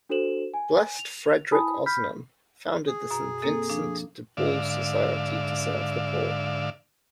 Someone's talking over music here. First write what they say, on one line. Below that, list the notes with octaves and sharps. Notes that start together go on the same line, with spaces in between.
Blessed Frederic Ozanam founded the St. Vincent de Paul Society to serve the poor.
D4 F#4 A4 C5 E7 F#7
G#5
F7
E4 G#5 A5 B5 D#6
B5 F6 G6 B6
G#4
F#2 B2
A#3 C4 A4
F3 D4
G#2 D3 D5 E5 F5